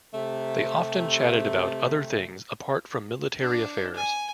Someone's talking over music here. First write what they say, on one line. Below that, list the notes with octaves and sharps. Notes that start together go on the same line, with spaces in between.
They often chatted about other things apart from military affairs.
C3 A3
D4
G#5